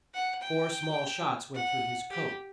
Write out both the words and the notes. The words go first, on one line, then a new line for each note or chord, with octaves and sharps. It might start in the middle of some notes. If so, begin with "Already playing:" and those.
Four small shots went through his coat.
F#5
G5
F#5
G4